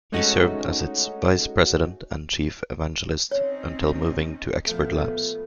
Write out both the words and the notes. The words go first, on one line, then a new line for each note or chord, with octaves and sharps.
He served as its Vice President and Chief Evangelist until moving to Expert Labs.
G#3 A3 C#4 D#4 F#4
C4 C#4 D#4 C#5
A#2 F3 A3 B3